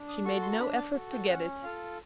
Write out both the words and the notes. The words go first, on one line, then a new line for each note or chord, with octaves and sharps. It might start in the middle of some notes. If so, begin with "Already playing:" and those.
She made no effort to get it.
Already playing: D4
D#6
F#4 A4 C#6
C6
A#5
D4 B5
A5
F#4 A4
G5
C#4 F#5
F4 A4 F5